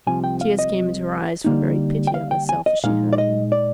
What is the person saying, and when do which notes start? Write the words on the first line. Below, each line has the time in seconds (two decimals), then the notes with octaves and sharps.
Tears came into her eyes for very pity of herself as she heard him.
0.07 C2 C3 F3 G#5
0.24 G5
0.41 F5
0.59 D#5
1.44 D3 G3 A#3 D#4
2.07 G5
2.14 F5
2.31 G5
2.49 G#5
2.66 D#5
2.84 A#2 G#3 D#4 F5
3.13 D5
3.18 D#5
3.52 D5